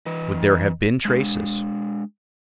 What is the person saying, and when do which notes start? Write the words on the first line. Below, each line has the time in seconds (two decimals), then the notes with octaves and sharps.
"Would there have been traces?"
0.06 E3 B4 D#5
1.05 G#3 D4